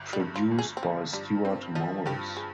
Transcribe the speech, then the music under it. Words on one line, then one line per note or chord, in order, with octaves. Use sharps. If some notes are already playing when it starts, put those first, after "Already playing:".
Produced by Stewart Morris.
Already playing: G1
G3
G2
F4
G1
G#4
C4
F3 A#3
G2 G3
C4
F3 D#4
G2 G4
G#4